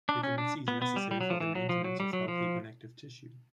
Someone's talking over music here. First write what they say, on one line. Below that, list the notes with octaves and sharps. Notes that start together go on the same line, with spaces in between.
Vitamin C is necessary for the maintenance of healthy connective tissue.
D4
C#4
D4
B3
B3
G3
G3
F#3
F3
E3
F#3
F3
F#3
G3
F#3
F3